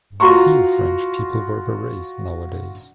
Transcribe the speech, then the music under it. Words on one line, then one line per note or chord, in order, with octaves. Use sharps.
Few French people wear berets nowadays.
F4 F#4 A#5 C6 C#6